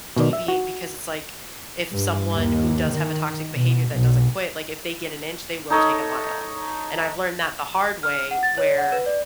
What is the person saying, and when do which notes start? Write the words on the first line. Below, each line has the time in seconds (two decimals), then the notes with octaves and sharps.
deviate because it's, like, if someone who does have a toxic behavior that doesn't quit, like, if they get an inch, they will take a mile, and I've learned that the hard way where,
0.16 B2 D#3 D5
0.33 E5
0.48 F#4
1.93 G2
2.34 D#2
2.90 D#3
3.53 B2
3.92 B1
5.70 D#4 A4 C#5 D#5
8.03 F6
8.31 F#5
8.43 A6
8.58 C#5
8.78 F#5
8.92 B4
9.06 D5